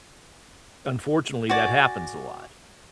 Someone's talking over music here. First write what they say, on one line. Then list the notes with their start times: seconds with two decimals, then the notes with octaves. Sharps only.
unfortunately, that happens a lot,
1.49 F#4 D5 G#5